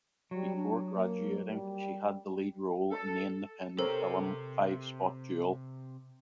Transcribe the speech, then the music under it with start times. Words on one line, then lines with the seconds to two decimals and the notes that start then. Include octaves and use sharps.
Before graduating, she had the lead role in the independent film "Five Spot Jewel".
0.31 F#3 G3
0.55 D4
0.94 A#3
1.47 G3
2.91 A4
3.79 C3 G4 A4 A#4 C5 C#5